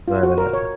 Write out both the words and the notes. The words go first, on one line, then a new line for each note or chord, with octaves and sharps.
But, uh,
F4
F#4
A#4
C#5